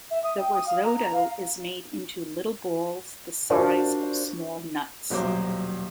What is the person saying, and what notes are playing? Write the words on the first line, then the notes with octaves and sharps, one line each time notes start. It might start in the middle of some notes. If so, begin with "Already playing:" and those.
The risotto is made into little balls the size of small nuts.
E5
D#6
G5
D#6
F5
A#5
A#5
F5
D4 F4 F#4 A#4 C5 D5
D#1 B1 F#3 C5 D6